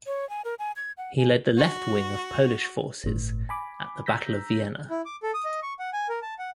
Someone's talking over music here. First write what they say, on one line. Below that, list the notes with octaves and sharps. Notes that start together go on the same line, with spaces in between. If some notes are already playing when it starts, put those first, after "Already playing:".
He led the left wing of Polish forces at the Battle of Vienna.
C#5
G#5
A#4
G#5
G#6
F#5
G#5
F#4
G1 A2
G#5 B5 D6
A#5 E6 G6 A#6 B6
E4
D6
A4
D#6
D#5
C#6
F#5
G#5
A#4
A5
F#5